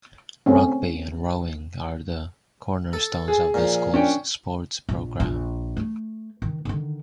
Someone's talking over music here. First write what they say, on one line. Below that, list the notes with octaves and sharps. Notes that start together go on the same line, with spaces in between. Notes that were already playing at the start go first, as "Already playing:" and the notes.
Rugby and rowing are the cornerstones of the school's sports programme.
A3 C4 C#4
A4
G#4
A#2 F3
C#4 D4 G5
A#1
A#1
A3
D#3
D3 D#3